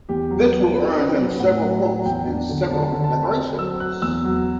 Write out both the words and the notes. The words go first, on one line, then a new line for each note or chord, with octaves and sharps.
This will earn him several quotes and several decorations.
E2 G4
F#3
F#3
C4 B4
C4
F#3
A2 F#5
F#3
F#3
E2 G5
D4
D3
D3 A5
D3
A5
C4
C4
F#3 E6
F#3 F#6
E2 E6
F#3